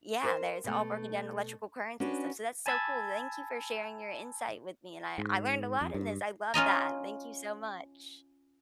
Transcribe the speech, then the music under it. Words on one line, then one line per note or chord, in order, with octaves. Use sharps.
yeah, there's all broken down electrical currents and stuff, so that's so cool, thank you for sharing your insight with me and I I learned a lot in this, I love that, thank you so much.
A#4 C5
B2 A3
C#4 D4 F#4 B4
G#5 A5 B5 E6 G#6 A6
G#2
F2
G2
C#4 F4 D#5 A#5